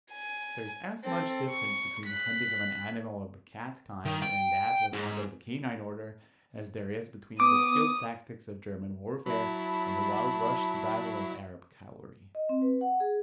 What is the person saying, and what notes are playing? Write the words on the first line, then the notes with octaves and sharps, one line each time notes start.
There is as much difference between the hunting of an animal of the cat-kind and that of one of the canine order, as there is between the skilled tactics of German warfare, and the wild rush to battle of Arab cavalry.
G#5
C4 A4
C#6
F#6 B6
D#3
G5
G#2
B3 D6 D#6
F#3 E4 A5 B5
D#5
C4
B4
F#5
G#4